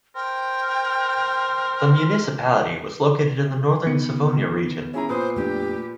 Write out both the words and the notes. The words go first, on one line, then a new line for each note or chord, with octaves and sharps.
The municipality was located in the Northern Savonia region.
A#4 C5 G5
D#3 B3 C#7
C#4 E4 G#4 A#5
A#2 B4 C5 D#6
F2 A3 D4 G4